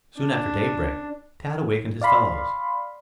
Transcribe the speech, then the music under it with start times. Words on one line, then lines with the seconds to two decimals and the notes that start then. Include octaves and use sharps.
Soon after daybreak, Tad awakened his fellows.
0.18 D4
2.02 D5 F5 B5 C6